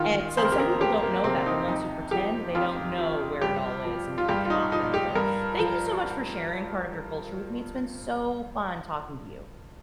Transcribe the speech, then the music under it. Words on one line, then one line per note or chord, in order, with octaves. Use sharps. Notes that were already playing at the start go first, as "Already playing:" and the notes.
and so, some people don't know that, the ones who pretend, they don't know where it all is, and you can spot them. But, thank you so much for sharing part of your culture with me, it's been so fun talking to you.
Already playing: D#3 F4
F2 C5
A#4
G4
A#4
F2 G4
A#3
C3 C4
D#4
F2 D#4
F3 G4
F2 F4
F3
G2 G4
F3
F4
G2 G4
F4
D#4
F3 D#4
G4
G2 A#4
F3